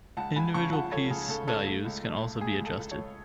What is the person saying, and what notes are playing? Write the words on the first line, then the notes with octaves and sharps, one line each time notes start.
Individual piece values can also be adjusted.
C#2 F#5 A5
C#2 G#5 B5
C#3 A5 C#6
F3 F#5 A5
F3 A4 C#5
C#3 G#4
C#3 A4
C#3 A4 C#5
A3 A4
C#2
A3
A3
A3 G#4
C#2
A4
C#2
A4 C#5
C#2